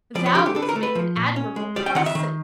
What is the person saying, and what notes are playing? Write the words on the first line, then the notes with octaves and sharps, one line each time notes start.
Thou wilt make an admirable parson.
F3 D5
C#5
D3 G4
G4
D3 A4
B4
A#4
A3
B4
F3
A#2
C#4
G#3
G3 D5
G5
D#3 F#5
E5
D#3